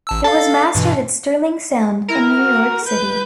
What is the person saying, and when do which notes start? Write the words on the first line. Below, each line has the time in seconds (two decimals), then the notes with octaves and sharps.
It was mastered at Sterling Sound in New York City.
0.07 A1 A5 E6
0.24 A4 F5 A5
0.75 G2 B2 E3
2.08 E4 A#4
2.41 F#4
2.86 B4 G6